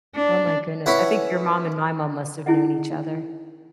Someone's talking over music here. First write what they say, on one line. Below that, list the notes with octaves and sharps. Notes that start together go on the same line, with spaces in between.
Oh my goodness, I think your mom and my mom must have known each other.
D4
C#4 E4 B4 F#5
C#4 D#4 E4 G#4 D#5 F#5